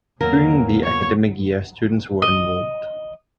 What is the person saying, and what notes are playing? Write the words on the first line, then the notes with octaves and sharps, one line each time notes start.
During the academic year, students were enrolled.
E2 C#3 F#3 A#3 A#4
C#5
D#5